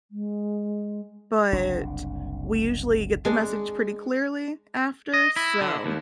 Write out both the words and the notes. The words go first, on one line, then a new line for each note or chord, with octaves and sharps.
but we usually get the message pretty clearly after, so
G#3
F#1 C2 D4
G#3 D4
D#5
E4
D3
D#2